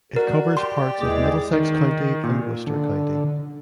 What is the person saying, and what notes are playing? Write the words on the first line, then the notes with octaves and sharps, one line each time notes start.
It covers parts of Middlesex County and Worcester County.
F#4 A#4 D5
G4 C6
D#2 E3 G#3 G#4 D5 D6
D#3
A#2
D3